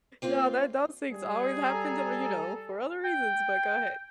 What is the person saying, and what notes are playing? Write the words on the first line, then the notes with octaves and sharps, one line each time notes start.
Yeah, that those things always happen to me, you know, for other reasons, but go ahead.
A#3 C4 F4
G3 G#4
A4 G#5 A#5
G5